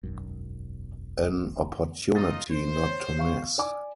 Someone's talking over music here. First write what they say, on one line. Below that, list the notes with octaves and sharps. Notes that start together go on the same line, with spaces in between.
An opportunity not to miss!
E1 B1 F#2
D#4 F4 D#5 A6
C5
C#5
F5 C#6
D5 G#5 D6